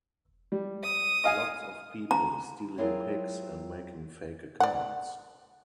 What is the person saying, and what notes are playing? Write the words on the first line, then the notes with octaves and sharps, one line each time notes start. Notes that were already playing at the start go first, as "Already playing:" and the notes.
Lots of people stealing pics and making fake accounts.
G3
D#6
D#5 F5 G#5
A#5
F#3 C4 E4 F4 G#4 A#4
D5 F#5